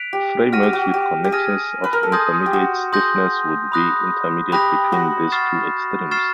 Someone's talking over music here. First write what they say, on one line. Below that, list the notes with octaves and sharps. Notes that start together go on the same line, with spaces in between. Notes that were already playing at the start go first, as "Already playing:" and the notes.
Frame works with connections of intermediate stiffness will be intermediate between these two extremes.
Already playing: F#6 B6 D7 F7
G4
F#4 F6 A#6 D#7
G4
F#4
G4
G4
G#4 F6 A#6 D#7
B4
A#4
A4
G#4 C6 D#6 G6 A#6
G4
F#4
G#4 C6 D#6 G6 A#6
B5 D#6 F#6 A#6
G4 B5 D#6 F#6 A#6
F#4
C#6 F6 A6 C7 E7
C#6 F6 A6 C7 E7